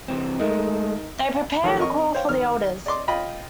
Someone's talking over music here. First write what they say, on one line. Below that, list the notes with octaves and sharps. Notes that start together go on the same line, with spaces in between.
They prepare, and call for the elders.
C3 E3 C4
G#3 A3 D#4 A#4
D#3 F3 F#3 A3
F2 A#4 D#5 C#6
C5 C#5 F5 G5
D#3 F6
D5 D#5 C6 D6
F4 D#5 G5 B5